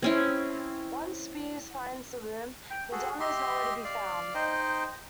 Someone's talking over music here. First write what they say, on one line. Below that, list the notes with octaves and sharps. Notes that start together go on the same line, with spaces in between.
Once Spears finds the room, Madonna is nowhere to be found.
C4 C#4 E4
G5
F#4 G#4 A4
G4 D#5 E5 C6
D5 F5
D#4 C5 D#5 G5